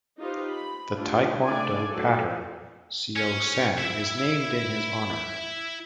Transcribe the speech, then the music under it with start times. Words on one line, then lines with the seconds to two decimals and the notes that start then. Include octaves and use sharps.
The Taekwon-Do pattern Seo-San is named in his honor.
0.19 D#4 F4 G4 B4 C5
0.54 B5
0.93 G3 A3 D4 E4 F4 G4
1.44 A3 D4 E4 D5 F5 G#5
1.89 F#3 A3 F#4 A4 D5
3.16 C#4
3.78 E4 E5